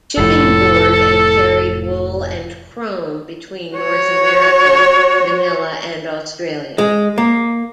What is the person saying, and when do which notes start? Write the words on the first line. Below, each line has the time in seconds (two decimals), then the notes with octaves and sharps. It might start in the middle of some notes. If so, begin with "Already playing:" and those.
Shipping Board and carried wool and chrome between North America, Manila and Australia.
0.18 F1 A2 A4
3.76 F#4 C#5
6.78 G#3
7.18 A#3